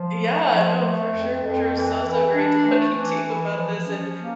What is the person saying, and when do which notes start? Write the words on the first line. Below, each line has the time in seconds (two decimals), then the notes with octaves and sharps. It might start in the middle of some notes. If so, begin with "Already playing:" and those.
Yeah, no, for sure, for sure, so, so great talking to you about this and
Already playing: F3
0.19 A3
0.50 F3
0.81 A3
1.11 F2
1.42 F2
1.73 E3
2.03 E3
2.34 D4
2.64 A3
2.95 E3
3.26 E3
3.56 F3
3.87 C#4
4.18 A#3